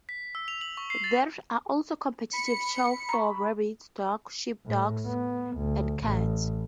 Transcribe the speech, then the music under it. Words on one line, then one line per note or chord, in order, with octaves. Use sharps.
There are also competitive shows for rabbits, dogs, sheepdogs, and cats.
B6
E6
F7
F#7
C#6
C7
A6
B5 C#7
A#5 C#6
A2
B3
D2
A1